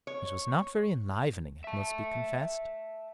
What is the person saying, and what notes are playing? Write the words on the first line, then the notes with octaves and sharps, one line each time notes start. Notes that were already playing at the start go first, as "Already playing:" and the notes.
It was not very enlivening, it must be confessed.
C#5
E5 A5